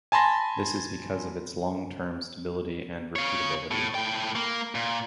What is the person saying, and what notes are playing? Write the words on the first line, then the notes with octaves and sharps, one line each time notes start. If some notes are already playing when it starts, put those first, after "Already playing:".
This is because of its long-term stability and repeatability.
G#5 A5 B5 C6 A#6
C#5 F5
A2
A2 G5
A#3
A#2